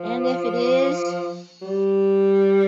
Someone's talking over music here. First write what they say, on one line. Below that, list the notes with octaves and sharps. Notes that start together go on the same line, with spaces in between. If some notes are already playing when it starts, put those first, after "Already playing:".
And if it is?
Already playing: F3
G3